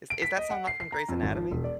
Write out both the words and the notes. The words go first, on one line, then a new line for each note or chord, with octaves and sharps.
Is is that song not from Grey's Anatomy?
D7
B6
D#5
F#5
C7
C7
A#5
F2
G#1
F3
E1
D5